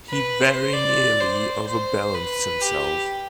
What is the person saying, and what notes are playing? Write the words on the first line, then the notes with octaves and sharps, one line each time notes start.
He very nearly overbalanced himself.
B4
C5
D5
C5
C5
B4
G4